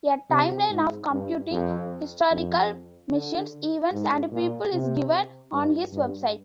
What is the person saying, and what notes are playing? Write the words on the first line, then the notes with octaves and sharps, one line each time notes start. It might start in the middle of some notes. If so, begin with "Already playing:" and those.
A timeline of computing historical machines, events, and people is given on his website.
C3
G#2
G2
F2
F2
D3
G#2
A#2
C3
G2
G2